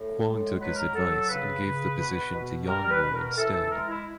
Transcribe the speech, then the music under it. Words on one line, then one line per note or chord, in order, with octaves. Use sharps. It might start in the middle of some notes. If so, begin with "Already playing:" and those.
Huang took his advice and gave the position to Yang Wu instead.
Already playing: A2
G#3
F#3 B4
A#4
F#3 A4
A4
C#3 B4
C#3
B2
B2
G3 A#4
B4
B2
A#4
E3 A4
A4
G#3 A#4
E4